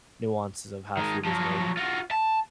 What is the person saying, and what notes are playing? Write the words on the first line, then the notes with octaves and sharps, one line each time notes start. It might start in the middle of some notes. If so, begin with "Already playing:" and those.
nuances of how food is made.
D#3 G#3
F3 F#3
F4 F#4
A5